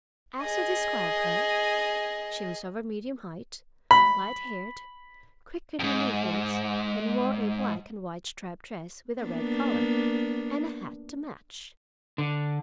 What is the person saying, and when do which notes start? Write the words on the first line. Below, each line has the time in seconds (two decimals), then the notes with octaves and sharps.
Asked to describe her--she was over medium height, light-haired, quick in her movements, and wore a black and white striped dress with a red collar, and a hat to match.
0.42 G#4 D#5
3.91 B5
5.79 F2 G#2
9.23 A#3 B3 D4
12.18 D3